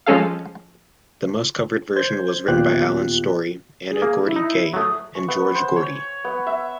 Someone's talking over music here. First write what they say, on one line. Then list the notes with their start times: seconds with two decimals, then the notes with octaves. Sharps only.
The most-covered version was written by Allen Story, Anna Gordy Gaye, and George Gordy.
0.06 F3 G#3 C#4 A4 F5
1.96 C5 G6 G#6
2.48 D#2 A#2 B3 F4 G4 F#6
3.90 G#4
4.02 A#3
4.24 E4
4.36 D#4
4.74 F#3 A3 D#6
5.15 C#6
5.28 B3
5.55 C5
5.76 C#5
6.25 B3
6.46 E5